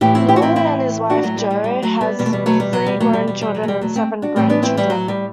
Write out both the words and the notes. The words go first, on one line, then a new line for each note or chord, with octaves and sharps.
Lawler and his wife, Jo, have three grown children and seven grandchildren.
A2 E3 E4 G4
C4 E4
E4 G4
F#4
C4 E4
C4 E4
D4 F#4
F#3 A3
G3
G3
G3
F#3 A3
G3 B3
E2 B2 G3
A3
G3
F#3 A3
G3
F#3
G3
F#3 A3
G3
G3
G3
F#3
A3
G3
F#3 A3
A3 C4
D4 F#4
A2 E3 A3 C4
B3 D4
C4 E4
G3
F#3
G3